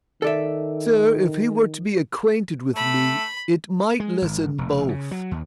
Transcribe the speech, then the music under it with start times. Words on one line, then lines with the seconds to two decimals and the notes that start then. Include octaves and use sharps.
'Sir, if he were to be acquainted with me, it might lessen both.'
0.22 D#3 A4 D5 E5
2.75 A3 B5
4.00 G#3
4.22 G#1
4.58 F1
4.89 C#3
5.11 F#3
5.31 D#2